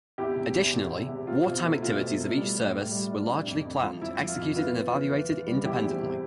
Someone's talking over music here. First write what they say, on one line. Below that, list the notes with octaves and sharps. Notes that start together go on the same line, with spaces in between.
Additionally, wartime activities of each service were largely planned, executed, and evaluated independently.
E2 E4 G4
C3
E2
C3
E2
C3
C4 F4
B2 F4
A3 E4
C4 F4
B2
A3
G3
A2
A2
G3
D4
D4
F2
F2
F3
F3 E4
F3
F4
F2
B3 F4
E3
E3
E3
E3
G3
E2 E4 G4
C4
C3